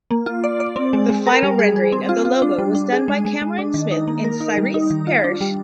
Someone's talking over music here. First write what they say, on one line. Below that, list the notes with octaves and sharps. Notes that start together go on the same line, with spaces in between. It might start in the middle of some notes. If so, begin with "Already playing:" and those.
The final rendering of the logo was done by Cameron Smith and Cyrese Parrish.
A#3
F4
D5
D5
C4
G#3
G#3
A#4
G3
G#4
G#4
C4
F4
F4
D4
G3
D4
G#4
G#3
G#3
G#3
D4
D#3
D#4
A#3
A#4
D#4
G3
D#4
D#3
F4
D4
G3